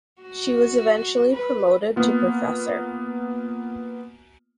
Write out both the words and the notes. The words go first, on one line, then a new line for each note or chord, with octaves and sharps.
She was eventually promoted to Professor.
F#4
B4
A#3 B3 F4